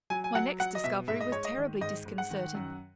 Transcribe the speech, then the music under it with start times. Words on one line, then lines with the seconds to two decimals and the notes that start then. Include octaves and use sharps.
My next discovery was terribly disconcerting.
0.10 F#3 G#5
0.24 G#5
0.35 F#3 F#5
0.60 F#3 F#5
0.75 D#5
0.84 B2 E5
1.08 G#2 E5
1.20 D#5
1.32 G#2 C#5
1.45 D#5
1.58 D#3
1.81 G#2 D#5
2.05 G#2
2.18 F#5
2.30 D#3
2.55 F#2